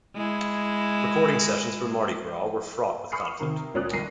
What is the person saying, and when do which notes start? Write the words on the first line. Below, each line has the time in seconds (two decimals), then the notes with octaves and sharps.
Recording sessions for "Mardi Gras" were fraught with conflict.
0.16 G#3 E4
3.12 B5 C#6 D#6 F6 C7 C#7
3.40 C3 D#3 A#4
3.74 C#2 A#2 C#4 D5 D#6 F#6
3.93 G1 A#4 A#6 C7 D#7